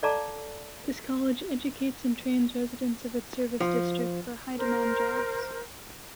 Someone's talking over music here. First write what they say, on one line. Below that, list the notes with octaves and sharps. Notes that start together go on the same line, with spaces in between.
This college educates and trains residents of its service district for high-demand jobs.
A4 D5 F5 A5 A#5 D6
F3
A#4 C5